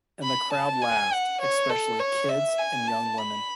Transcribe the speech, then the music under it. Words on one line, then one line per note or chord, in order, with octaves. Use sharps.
And the crowd laughed, especially kids and young women.
B5
A5
G#5
F#5
C#5
A4
C#5
E5
G#5
A5
B5